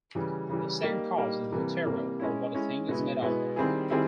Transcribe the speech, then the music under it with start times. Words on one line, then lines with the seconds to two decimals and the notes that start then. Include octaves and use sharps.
The second cause is the material, or what a thing is made out of.
0.15 C#3 E3 G3
0.49 C#3 E3 G3
0.83 G3 A#3 D#4 G4
1.17 G3 A#3 D#4 G4
1.52 C3 E3 G3 A#3
1.86 C3 E3 G3 A#3
2.20 G#3 C#4 E4
2.55 G#3 C#4 E4
2.88 B2 G#3 B3 E4
3.22 B2 G#3 B3 E4
3.56 D#3 G3 C4 E4 G#4
3.90 D#3 G3 C4 E4 G#4